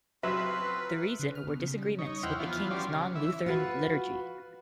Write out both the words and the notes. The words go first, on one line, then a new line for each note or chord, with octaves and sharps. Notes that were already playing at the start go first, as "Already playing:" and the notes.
The reason were disagreements with the King's non-Lutheran liturgy.
F#3 C4 F4 B4 E5 F5
C#3
F6
B2
C#3
G3
D#4 C#5
E2 E4 C5 F#5 G5 F6
E3 F3 B3 F4
F#3 G3 C#4 D5 C6
C#3
E3 E5
F4 F#4 B4